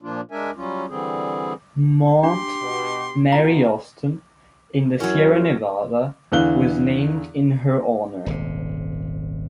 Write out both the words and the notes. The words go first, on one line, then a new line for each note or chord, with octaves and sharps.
Mount Mary Austin, in the Sierra Nevada, was named in her honor.
A#2 F3 A#3 D4 F4
G#3 D4 A#4 E5 G#5
F#3 G3 C#4 F4
D3 E3 G3 C4 G#4
D4 G4 C6
B2
B2 E4 F4 A#5
F#2 F#3 C#4 E4
E2 D3 E3 F5 F#6 G7
D#1 G#1 C3